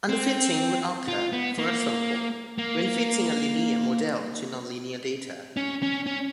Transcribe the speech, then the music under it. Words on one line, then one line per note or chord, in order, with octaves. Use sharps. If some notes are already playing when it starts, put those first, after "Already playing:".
Underfitting would occur, for example, when fitting a linear model to non-linear data.
C4
F4
B3
A#3
A#3
C#4
C#4
C#4